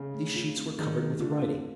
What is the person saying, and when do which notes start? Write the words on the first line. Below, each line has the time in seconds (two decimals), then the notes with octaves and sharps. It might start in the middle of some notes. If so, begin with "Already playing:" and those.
These sheets were covered with writing.
Already playing: C#3 G#4
0.14 A3
0.36 F4
0.57 C4
0.78 D#3 G#4
1.00 A3
1.20 D3 F4
1.42 C4